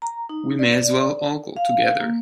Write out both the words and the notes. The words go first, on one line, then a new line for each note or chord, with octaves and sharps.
We may as well all go together.
A#5
D#4
D5
F5
A#3